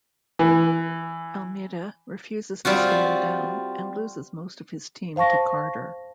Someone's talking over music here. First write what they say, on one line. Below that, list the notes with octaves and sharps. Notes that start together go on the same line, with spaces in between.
Almeida refuses to stand down and loses most of his team to Carter.
E3
G3 C4 F4 F#4
C5 F5 A5 C#6 A#6